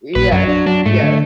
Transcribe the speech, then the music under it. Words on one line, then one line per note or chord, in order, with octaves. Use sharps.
Yes. Yes.
A#1 B4
F#2 F#3
D4
F#3 D4
G#2 A3
D3